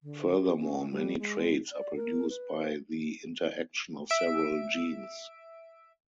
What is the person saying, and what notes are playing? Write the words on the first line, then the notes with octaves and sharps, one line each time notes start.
Furthermore, many traits are produced by the interaction of several genes.
D3
G4
C#4
G3
G#3
D5
A#4
B4
E5 D7